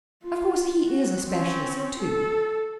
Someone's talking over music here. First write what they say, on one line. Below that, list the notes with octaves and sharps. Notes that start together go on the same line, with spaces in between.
Of course he is a specialist too.
F4
F#4
C4 C#4
A4